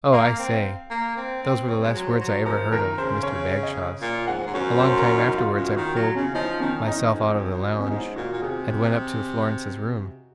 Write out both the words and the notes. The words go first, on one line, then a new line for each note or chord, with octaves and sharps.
"Oh, I say...." Those were the last words I ever heard of Mr Bagshawe's. A long time afterwards I pulled myself out of the lounge and went up to Florence's room.
A#3 F5
C4
A#3
C4
C4
C4 C#5
G#3
F#3
C5
F#3
F3 A#4
D#3 A#4
C#3 C5
C#5
D#5
A#2
G#2 F#5
G#2
F#2 C#5
C5
A#4
D#4
F4
F#2 F#4
D#3 F#4
F#3
C#3 C#4
F3 D#4
D#3 C#4
D#3 D#4
F2
F2
F#2
C#4
F#2
G#2 D#4
A#2 F#4
A#2
C3 G#4